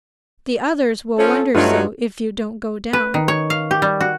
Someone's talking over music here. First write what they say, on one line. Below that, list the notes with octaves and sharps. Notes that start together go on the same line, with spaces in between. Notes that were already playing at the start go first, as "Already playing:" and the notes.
The others will wonder so if you don't go down.
F3 C#4 A4
G2 F#3 A3 D#4 F4 D5
B4
D#3
C#5
F5
G4
G3
F#4